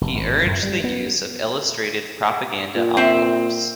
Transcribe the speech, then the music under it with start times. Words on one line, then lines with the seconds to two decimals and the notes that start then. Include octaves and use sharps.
He urged the use of illustrated propaganda envelopes.
0.01 F1
0.14 G#1
0.46 F#2
0.63 G3
0.84 B3
2.75 A#2
2.97 C4 E5